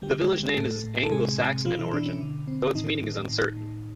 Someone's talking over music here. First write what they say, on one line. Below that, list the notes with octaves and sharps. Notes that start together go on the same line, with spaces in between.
The village name is Anglo Saxon in origin, though its meaning is uncertain.
D3 G3 G4
G#3 G#4
D3
A2 A3 A4
A2
A4
C3 G#3 G#4
C3
B2 F3 F4
E3 E4
B2 D4
C#4
D3
C4
A2 D#3 D#4
A2
A2
A2